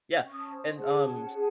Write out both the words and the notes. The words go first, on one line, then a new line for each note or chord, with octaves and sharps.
Yeah, and, um, s
C#4 C#6
D#6
A5 C#6
C5
G#4 F#5 A5
C#4
G#4